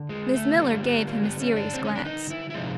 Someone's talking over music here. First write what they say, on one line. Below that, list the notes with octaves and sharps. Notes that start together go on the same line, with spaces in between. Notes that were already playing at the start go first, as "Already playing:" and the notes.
Miss Miller gave him a serious glance.
Already playing: D3
G#3
A3
D3 G3 A#3
B3
A#3
B3
C#4
D4
C4
C#4
D4
D#4
E4
E4
C3 F3 G#3 D#4